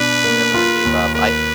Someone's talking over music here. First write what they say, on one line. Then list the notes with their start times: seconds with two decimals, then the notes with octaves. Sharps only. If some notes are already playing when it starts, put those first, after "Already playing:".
everyone gave up. I
Already playing: B2 D4 B4
0.24 A#3
0.54 F4
0.85 D#2
1.15 A#3 B4